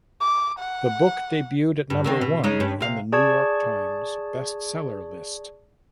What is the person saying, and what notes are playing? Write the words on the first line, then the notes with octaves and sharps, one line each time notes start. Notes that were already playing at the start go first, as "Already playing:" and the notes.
The book debuted at number one on "The New York Times" Best Seller list.
D6
F#5
G2
D3 D#3 C4
B2
C#3 G#3 D#4
G2 C#4
C3 F5
G#4 D5 A5 C#6 G#6